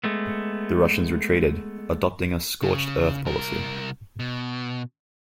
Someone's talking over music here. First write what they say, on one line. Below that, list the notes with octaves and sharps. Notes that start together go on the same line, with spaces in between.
The Russians retreated, adopting a scorched-earth policy.
G#3 A3 B3
C#3
C2 A#4
B2